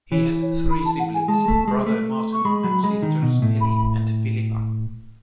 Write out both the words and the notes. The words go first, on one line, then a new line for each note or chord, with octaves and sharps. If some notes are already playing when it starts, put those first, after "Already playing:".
He has three siblings, brother Martyn and sisters Penny and Philippa.
E3 C#5
C#5
B5
A5
F#5
G#5
G#3 A5
A3
G#3
A3
C#6
G#3 B5
F#3
G#3
D#3
B2
A2
B5
B5